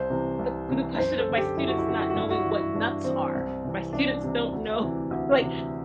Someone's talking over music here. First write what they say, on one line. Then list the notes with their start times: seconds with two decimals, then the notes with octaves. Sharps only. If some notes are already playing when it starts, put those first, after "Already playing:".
the the question of my students not knowing what nuts are. My students don't know like,
Already playing: C2 C5
0.10 C3 E3
0.39 C2
0.68 C3 E3
0.98 F#2 C5
1.18 A4
1.29 D3
1.38 G4
1.57 F#2 E4
1.68 F#4
1.78 E4
1.87 D3 F#4
1.99 E4
2.10 F#4
2.16 G2 E4
2.30 F#4
2.40 E4
2.45 E3
2.50 F#4
2.61 E4
2.75 G2 D4
3.04 E3 C4
3.35 C2
3.64 C3 E3
3.93 C2 D4
4.23 C3 E3
4.52 D2
4.82 C3 E3
5.11 D2
5.40 C3 E3